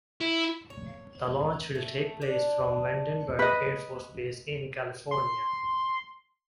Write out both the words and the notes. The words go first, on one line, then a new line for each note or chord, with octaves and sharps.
The launch will take place from Vandenberg Air Force Base in California.
E4
C#5
A3
D4
B4 D#5
C6